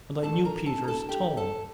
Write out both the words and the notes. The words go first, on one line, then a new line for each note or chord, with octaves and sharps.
And I knew Peter's tone.
A2 A3 D4 A4 A5
A#4 A#5
A4 A5
A#5
A4 A5
A5
G4 G5
A4 A5